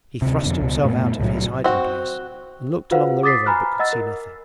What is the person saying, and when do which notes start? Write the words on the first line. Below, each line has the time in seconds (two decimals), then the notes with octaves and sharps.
He thrust himself out of his hiding-place and looked along the river but could see nothing.
0.22 D2 C3
0.43 F2 B2 D3
0.61 C#2 B2
0.83 F#2 A#2 A3 B3
1.20 C2 A2 F3 F#3
1.64 C4 F#4
2.91 F4 F#4 B4 C5 F5 F#5
3.23 D6 D#6 A6 B6 C7
3.46 G#5 A#5 B5 F6 F#6
3.79 D#5 F#5 E6 A6
3.93 A#4